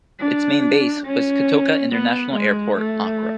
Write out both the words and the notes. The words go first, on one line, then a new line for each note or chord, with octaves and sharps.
Its main base was Kotoka International Airport, Accra.
D4
C#4
B3
G#3
A3